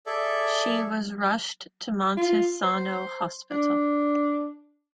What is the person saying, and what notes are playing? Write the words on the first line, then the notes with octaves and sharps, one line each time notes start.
She was rushed to Monte Sano Hospital.
G#4 A4 D5 E5
F4
C5
D4